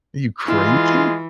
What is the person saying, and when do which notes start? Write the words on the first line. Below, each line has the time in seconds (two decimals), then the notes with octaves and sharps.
Are you crazy?"
0.48 E3 G#3 E4 F4